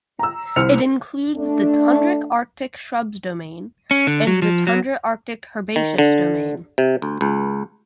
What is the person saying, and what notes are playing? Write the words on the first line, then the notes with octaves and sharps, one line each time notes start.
It includes the tundra arctic shrubs domain and the tundra arctic herbaceous domain.
A#5 E6
C2 C5 E6 F6 C#7 F7
A3 D4
C#4
D3
F#3
F3
F#3
D#3
D3
C3
D2
C#2